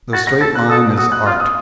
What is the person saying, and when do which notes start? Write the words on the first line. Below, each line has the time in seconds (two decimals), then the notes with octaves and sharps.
The straight line is Art.
0.13 F#4 A6
0.27 A#6
0.41 A4 A6
0.55 F#6
0.70 A4 D#6
0.98 F#4 D#6
1.12 F#6
1.26 F4 F6
1.40 D#6